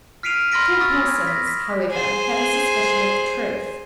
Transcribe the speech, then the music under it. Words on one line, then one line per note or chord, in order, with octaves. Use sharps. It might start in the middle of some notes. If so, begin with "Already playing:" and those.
Two persons, however, had a suspicion of the truth.
F6 B6 C7 D7 D#7 F7
B5 C6 F6 A#6 B6 D7
C#6 D#6 E6 A6 A#6
G#6
A#6 B6
B6
G#4 C5